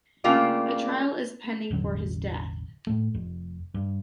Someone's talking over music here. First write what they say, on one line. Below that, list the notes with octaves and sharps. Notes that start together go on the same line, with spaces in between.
A trial is pending for his death.
C#3 A3 A#3 D4 F4 G4
E1 A1 D3 F#3
A2 A3
F1 F2
G2